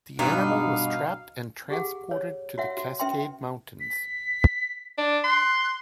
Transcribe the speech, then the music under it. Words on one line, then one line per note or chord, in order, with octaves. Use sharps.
The animal was trapped and transported to the Cascade mountains.
G2 B2 D4 D#4 F5
G4 G#4 F#5
C#5
F#4 C#5 E5 F#5
F#4
C#4 B4 E5 G5 C6
B6
D4
C6 F#6